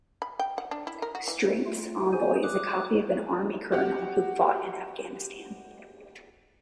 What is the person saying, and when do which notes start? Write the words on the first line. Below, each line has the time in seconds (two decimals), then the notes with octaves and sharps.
Strength's Envoy is a copy of an Army Colonel who fought in Afghanistan.
0.22 B5
0.39 G5
0.58 F#5
0.71 D4
0.87 E4
1.02 A#4
1.15 F#4
1.28 E3
1.66 A3 F4
2.13 G#4 C5 G#5
2.43 D6 D#6 F#6
3.72 F#4 G4 F#5